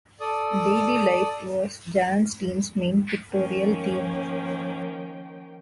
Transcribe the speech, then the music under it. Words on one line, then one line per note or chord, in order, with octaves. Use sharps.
Daily life was Jan Steen's main pictorial theme.
A4 D5 D#6
D#3 F3 A#3 C#4 G5